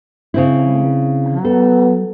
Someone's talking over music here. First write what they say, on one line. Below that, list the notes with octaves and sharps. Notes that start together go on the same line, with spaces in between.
Oh, um
C#3 C4 E4
B3 A4